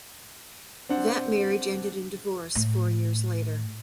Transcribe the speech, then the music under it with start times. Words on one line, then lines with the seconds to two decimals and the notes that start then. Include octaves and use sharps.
That marriage ended in divorce four years later.
0.89 C4 D4 F#5
2.55 A2